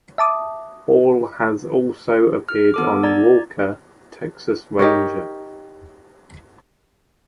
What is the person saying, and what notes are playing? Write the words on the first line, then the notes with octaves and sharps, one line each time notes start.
Ball has also appeared on "Walker, Texas Ranger".
E5 A5 D6 D#6
F6
B3 A4 D6
D5 A#5 G#6
D#4 G4 A#4 C#5